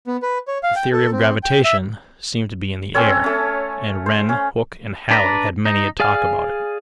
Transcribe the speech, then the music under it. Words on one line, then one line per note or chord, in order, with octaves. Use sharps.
The theory of gravitation seemed to be in the air, and Wren, Hooke, and Halley had many a talk about it.
B3
B4
C#5
F5
G5
A4
C4
G5
E5
C4 C#4 A4 C#5
A3 C#4
C5
C#4
D4 B4 D5 A#5
D#4
G#4 D5 F5 G#5 F6